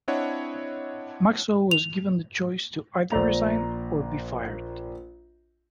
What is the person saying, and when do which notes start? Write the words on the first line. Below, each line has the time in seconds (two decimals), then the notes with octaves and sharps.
Maxwell was given the choice to either resign or be fired.
0.08 C4 D4 E4 C#5 D#5 F#5
1.71 F7
3.11 A#1 C5 D5 A#5 F7